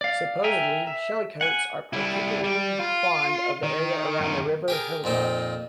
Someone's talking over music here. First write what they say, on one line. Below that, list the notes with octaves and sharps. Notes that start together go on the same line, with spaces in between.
Supposedly, shellycoats are particularly fond of the area around the River Hermitage.
D5 F5
A#4 E5 G5 G#5 A#5
E5
F#5 G#5
G3 E4
G3
F4
D#3
F#2 D#3
G4 G#4 A#4
F2 A#2 C4 D#4